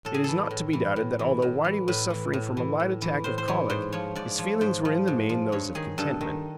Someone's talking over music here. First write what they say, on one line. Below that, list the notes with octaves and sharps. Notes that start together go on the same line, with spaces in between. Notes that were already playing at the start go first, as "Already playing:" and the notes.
It is not to be doubted that although Whitey was suffering from a light attack of colic his feelings were in the main those of contentment.
A2 A4
G#4
E3 A4
A2
E3
A2
E3
A2
E3
A2 B4
E3
A2
E3
A2
E3
A2 C5
C5
E3 C#5
G#2 C5
F3 C#5
G#2 D5
F3 C#5
G#2 C5
F3
G#2
F3
G2 C#5
D#3 G#4
G2 A4
D#3